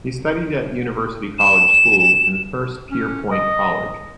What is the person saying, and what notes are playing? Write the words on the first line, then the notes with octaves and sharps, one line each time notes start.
He studied at University College School and Hurstpierpoint College.
E7
C#4
D#5